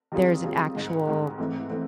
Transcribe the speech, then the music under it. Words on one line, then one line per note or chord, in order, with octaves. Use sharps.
there's an actual
D#3 G3 C4 F4 G#4
D#3 G3 C4 F4 G#4
G#2 D#3 G#3
G#2 D#3 G#3
G#2 E3 A3 C4
E3 A3 C4